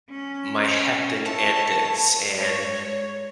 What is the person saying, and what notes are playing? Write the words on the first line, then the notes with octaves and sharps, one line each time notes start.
my hectic antics and
C#4
A#3 E4 A4 C#5 A5
G#2 C#5